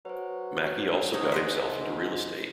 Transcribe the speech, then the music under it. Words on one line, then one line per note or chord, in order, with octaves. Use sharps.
Mackie also got himself into real estate.
F#3 B4 C5
G#2 D#4 B4 C#5 C#6
C5 D#5 A#5 C6 F#6 B6